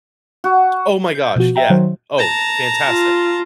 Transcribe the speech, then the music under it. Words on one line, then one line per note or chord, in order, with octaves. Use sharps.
Oh, my gosh, yeah. Oh, fantastic.
F#4
G6
B2 F3 F#4
E5 G5 A#5
D#3 F#3 C5
A5 A#5
F4